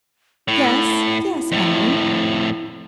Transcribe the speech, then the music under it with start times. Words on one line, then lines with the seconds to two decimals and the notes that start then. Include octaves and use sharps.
"Yes--yes, Henry?"
0.48 A2 E4
1.52 F2 A2